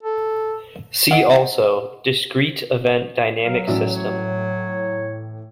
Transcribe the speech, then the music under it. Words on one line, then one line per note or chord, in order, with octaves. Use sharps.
See also, Discrete event dynamic system.
A4
D#5 F#5
F#3 F5
A2 E3 C#4 F#4 D5 E5
C#5